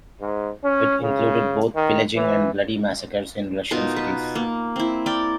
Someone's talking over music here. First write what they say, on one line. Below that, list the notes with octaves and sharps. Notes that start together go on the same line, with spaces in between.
It included both pillaging and bloody massacres in Russian cities.
G#2
C#4
C#3
D#3
E3
B2 D#4 F4 A#4
B4
A#3
C4 E4
A#4 D5 G5